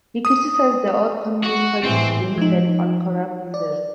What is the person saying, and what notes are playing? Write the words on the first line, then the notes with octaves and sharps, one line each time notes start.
He criticised the old communist policies, blaming them on corrupt leaders.
D#6
F#4
A2 E3 C4
F3 D#4
D5